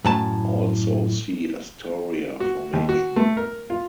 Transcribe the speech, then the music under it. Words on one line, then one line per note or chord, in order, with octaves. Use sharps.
Also see Astoria Formation.
F#2 A2 A5
F#4
D#2
F#4
A3
A#4
F4